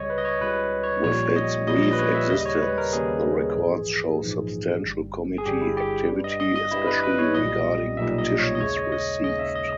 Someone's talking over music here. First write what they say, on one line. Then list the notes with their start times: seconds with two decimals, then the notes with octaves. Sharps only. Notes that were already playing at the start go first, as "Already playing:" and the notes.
With its brief existence, the records show substantial committee activity, especially regarding petitions received.
Already playing: C#2 C#3 G3 C#5 D#5
0.10 B4
0.18 D#5
0.25 C#5
0.41 C#2 C#3 G3 B4
0.83 C#5
1.04 A#1 A#2 G3 C#5
1.36 D#5
1.67 A#1 A#2 G3 D#5
1.83 D#5
1.93 B4
1.99 C#5
2.15 E5
2.30 D#2 C#3 G3 D#5
2.41 D#5
2.46 C#5
2.62 B4
2.78 A#4
2.93 D#2 C#3 G3 G#4
3.57 A#1 G#2 E3
4.19 A#1 G#2 E3
4.82 G1 G2 G3
5.38 G#4
5.45 G1 G2 G3 G4
5.62 E4
5.77 G4
6.08 G2 G3
6.24 D#5
6.40 D#5
6.56 D#5
6.71 G2 G3 E4
6.87 B4
7.03 B4
7.19 C#5
7.34 B1 A#2 G3 D#5
7.97 B1 A#2 G3 E5
8.18 D#5
8.39 C#5
8.55 D#5
8.61 D#2 C#3 G#3 C#5
8.76 D#5
8.92 D#5
9.24 D#2 C#3 G#3 D#5
9.39 E5
9.55 D#5